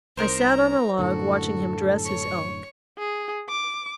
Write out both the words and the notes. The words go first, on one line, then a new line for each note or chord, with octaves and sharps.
I sat on a log watching him dress his elk.
C2 D#4 A#4 C5 A#5
F#2 A2 D3 F#4 A4
C#5 C#6
G#4
D6